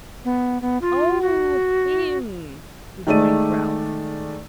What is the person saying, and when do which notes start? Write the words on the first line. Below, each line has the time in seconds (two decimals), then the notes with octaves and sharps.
'Oh HIM!' rejoined Ralph.
0.25 B3
0.62 B3
0.82 F4
1.22 F#4
3.07 D#3 G#3 A3 D5 D#7